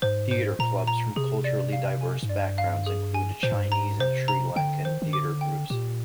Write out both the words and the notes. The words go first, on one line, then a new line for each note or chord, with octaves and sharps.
Theatre clubs from culturally diverse backgrounds include Chinese and Sri Lankan theatre groups.
G#2 C5
C5
A#2 A#5
A#5
C3 G#4
D5
F5
G#5
G#2
G2 D5
F5
G#4
G#5
A#2 C5
G#2
G2
G#2 A#5
C3 C5
A#5
D3 G5
D#3 C5
D#3
D3 D6
G5
A#2 G4